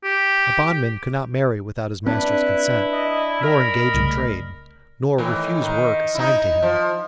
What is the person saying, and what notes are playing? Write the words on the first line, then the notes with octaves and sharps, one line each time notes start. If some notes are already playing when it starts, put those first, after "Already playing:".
A bondman could not marry without his master's consent; nor engage in trade; nor refuse work assigned to him.
G4
C4 D4 E4 B4
D#5
A#4 D#5 B5
C2 C#3 A3
A2 D#3 E3
D#3
D#4 E4
F3